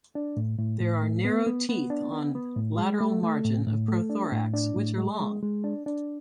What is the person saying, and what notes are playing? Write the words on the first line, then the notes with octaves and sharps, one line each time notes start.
There are narrow teeth on lateral margin of prothorax which are long.
D4
A2
A2
A2
A3
B3
B3
B3
D4
B3
B3
A2
G#3
A3
A3
A2
A2
A3
D4
A2
D4
A2
G#3
G#3
G#3
D4
D4